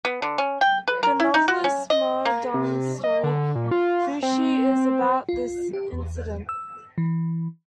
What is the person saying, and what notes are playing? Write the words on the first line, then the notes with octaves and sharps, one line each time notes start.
The novelist Mao Dun's story "Fushi" is about this incident.
B3
D3
C#4
G5
B4
A#4
E4
D#4
F#4
C#4
D#5
A#3
C3
D#5
D3
A#2
F4
C4
F4
G4
E2
E6
E3